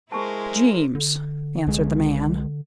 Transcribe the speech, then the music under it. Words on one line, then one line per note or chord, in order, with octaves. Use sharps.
"Geemes," answered the man.
G#3 E4 A#4 C5 G#5 A5 C#6
D3
C2 G#3